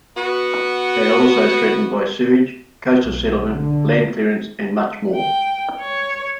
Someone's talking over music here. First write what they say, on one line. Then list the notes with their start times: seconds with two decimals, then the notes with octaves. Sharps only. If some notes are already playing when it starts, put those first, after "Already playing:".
They are also threatened by sewage, coastal settlement, land clearance and much more.
0.17 B3 F#4
3.03 B1
3.43 D3
5.15 G5
5.79 C#5